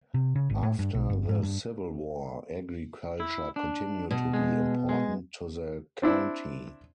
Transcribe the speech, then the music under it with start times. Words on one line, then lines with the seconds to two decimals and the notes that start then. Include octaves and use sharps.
After the Civil War, agriculture continued to be important to the county.
0.14 C3
0.35 C#3
0.50 G#1
0.63 A2
0.79 G2
0.94 B1
1.10 G1
1.29 G#2
1.43 G2
3.20 E4
3.56 D4
4.11 B2
4.34 G#3
4.89 G#3
6.02 C4 D4 E4